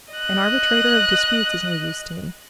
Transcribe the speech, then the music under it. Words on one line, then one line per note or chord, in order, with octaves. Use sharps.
An arbitrator of disputes is no use to me.
D#5 F#6